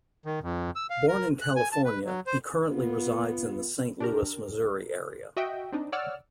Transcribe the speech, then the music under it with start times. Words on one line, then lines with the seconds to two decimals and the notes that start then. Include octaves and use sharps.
Born in California, he currently resides in the Saint Louis, Missouri area.
0.26 D#3
0.43 F2
0.76 E6
0.90 F5
1.08 A#4
1.41 F#6
1.56 G#5
1.72 A5
1.85 B4
2.05 F#3
2.27 C5
2.69 B3 F4
4.00 D4 G4 A#4
5.37 F#4 D#5 E5 G5
5.72 C4 D4 D#4
5.92 C#5 D5 F#5 E6 F6